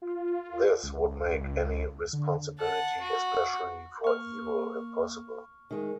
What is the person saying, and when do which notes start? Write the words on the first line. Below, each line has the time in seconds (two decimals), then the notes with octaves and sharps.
This would make any responsibility, especially for evil, impossible.
0.02 F4
0.83 C#2
2.13 D3
2.59 F#5 A5
3.01 F#4
4.04 A#3 C#6 F6
5.71 D#3 G#3 G#4